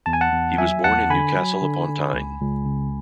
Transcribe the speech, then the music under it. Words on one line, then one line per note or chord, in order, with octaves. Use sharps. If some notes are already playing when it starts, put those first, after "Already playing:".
He was born in Newcastle-Upon-Tyne.
E2 A5
G#5
F#5 A5
E2
F#3 E5 G#5
E2 F#5 A5
D3 G#5 B5
F#3
D3
D3
C#2
C#2
C#3